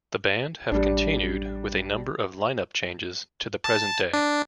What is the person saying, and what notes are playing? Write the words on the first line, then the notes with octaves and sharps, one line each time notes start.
The band have continued, with a number of lineup changes, to the present day.
A1 G3 D4
A5
D4